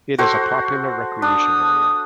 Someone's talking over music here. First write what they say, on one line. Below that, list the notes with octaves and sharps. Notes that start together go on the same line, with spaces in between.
It is a popular recreation area.
F#4 A4 C5
D4 D#6